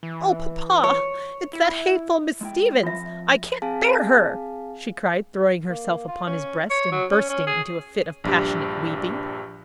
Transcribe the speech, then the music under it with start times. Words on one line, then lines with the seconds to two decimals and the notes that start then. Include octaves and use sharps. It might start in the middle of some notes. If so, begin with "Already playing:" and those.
"Oh, papa, it's that hateful Miss Stevens; I can't bear her!" she cried, throwing herself upon his breast, and bursting into a fit of passionate weeping.
0.03 E3
0.84 C#5
1.53 E4
2.41 G#3 E4 G5
2.83 F3 C4 F4 E5
3.62 C4 G#4 F5 G#5 A5
5.68 A#3
6.08 F4
6.26 C#4
6.70 C#5
6.92 F#3
7.10 C#4
7.29 C#4
7.47 G#4
8.24 A#1 G2 G4